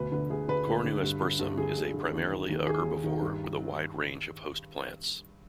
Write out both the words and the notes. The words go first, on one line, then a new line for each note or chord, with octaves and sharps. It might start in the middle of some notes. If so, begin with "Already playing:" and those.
"Cornu aspersum" is a primarily a herbivore with a wide range of host plants.
Already playing: D2 B2 B4
D3 B4
D2 G#4
D3 B4
D2
D3
G2
D3
G2
D3 G#4
G2
D3
D#2
D#3
D#2
D#3 G#4
D#2
D#3
G2